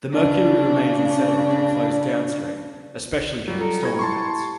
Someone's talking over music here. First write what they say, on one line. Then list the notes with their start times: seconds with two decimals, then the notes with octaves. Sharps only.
The mercury remains in sediment and flows downstream, especially during storm events.
0.11 C#3 D4
3.48 F#3 G3 F4
3.61 A4 A#5 C#7
3.83 E4 G4 A#5 B5 G#6
3.99 A5 C6 C#6